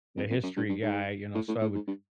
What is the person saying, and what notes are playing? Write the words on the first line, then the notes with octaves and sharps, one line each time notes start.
a history guy, you know, so I would
F2
F2
F#2
G2
G2
G#2
A2
A2
A2
G#2
G2